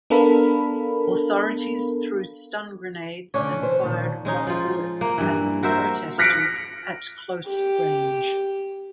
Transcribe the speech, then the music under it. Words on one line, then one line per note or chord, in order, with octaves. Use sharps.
Authorities threw stun grenades and fired rubber bullets at the protesters at close range.
B3 D4 A4 A#4 F5 B5
D3 A3 C#4 D4 C#5
E3 C5
A#2 D#3 F3
G#3 C#4 D#4
F3 F4
A#3
G2 E3
F#4 A#4 C5 E5
F6 F#6 A#6 B6 C#7 D7
G4